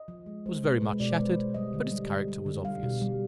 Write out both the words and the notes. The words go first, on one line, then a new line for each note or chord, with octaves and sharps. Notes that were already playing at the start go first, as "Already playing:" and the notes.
It was very much shattered, but its character was obvious.
Already playing: D#5
F3
G#3
G#3 C5
B2
B4
G#3
B2 D5
C5
G#3 B4
C5
B2
G3 D#5
D3
G3
D3
G3
D3
G3 F5
B2
G3